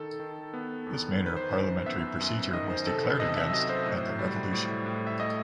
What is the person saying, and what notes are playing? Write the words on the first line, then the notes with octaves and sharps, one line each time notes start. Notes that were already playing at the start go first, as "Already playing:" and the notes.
This manner of parliamentary procedure was declared against at the revolution.
Already playing: D#3 A4
D#3
B3
E2
D#3
B4
C5
F#2 C5
B3 E5
F#2
D#3 D#5
C5
C3 A4
B4
C3 D#5
E5
F#3 D#5
C5
A2
G3
A2
A2
E5
A3 D#5